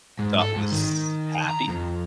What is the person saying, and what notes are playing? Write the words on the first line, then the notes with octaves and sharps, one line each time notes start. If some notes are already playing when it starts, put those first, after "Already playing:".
you thought was happy?
G#2
A4
G#2
D#3
A#5
F2